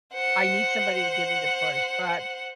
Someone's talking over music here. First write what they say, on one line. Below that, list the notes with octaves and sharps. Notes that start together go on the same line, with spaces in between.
I need somebody to give me the push, but
C5 F#5